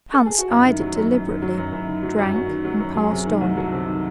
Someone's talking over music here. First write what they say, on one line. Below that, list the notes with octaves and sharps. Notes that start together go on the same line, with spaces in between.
Hans eyed it deliberately, drank, and passed on.
A4
G#4
F#4
F#2 E4
D#3
F#3
F#2
F#2
D#3
F#3
F#2
F#2 E4
D#3
F#3
F#2
F#2 F#4
D#3
F#3
F#2
F#3 G#4
C3
D#3
C2
F#3 A4
C3
D#3